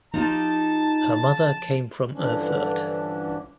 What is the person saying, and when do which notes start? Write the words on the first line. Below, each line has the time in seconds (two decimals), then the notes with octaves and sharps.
Her mother came from Erfurt.
0.14 F3 D#4 F4 G4 A5
2.13 G2 D3 E3 F3 C#4 D4